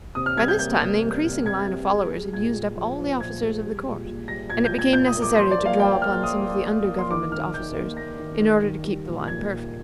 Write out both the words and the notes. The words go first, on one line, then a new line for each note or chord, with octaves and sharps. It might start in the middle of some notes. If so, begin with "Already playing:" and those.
By this time the increasing line of followers had used up all the officers of the court, and it became necessary to draw upon some of the under government officers in order to keep the line perfect.
C3 D#6
F6
G3 G#6
G6
A#3 G6
C3
G3
C3
C3 G#6
G3
G#3
G#3
A#2 G#6
A#2
F3
F3
A#2 G#6
G#3
G3
A#2
A#2
G3 A#6
A#2 G#6
G6
A#2
G#6
A#2 G6
D#6
A#3
D6
F3 C6
D5
A#3
F5
F3 G5
A#3 F6
A#3 D#6
A#3
A#3
A#3
C6
D#3 D6
D#3 F6
D#3 G6
A#3
A#3 A#6
D#3
D#3
D#3
G3
A#2
A#3 G#6
A#2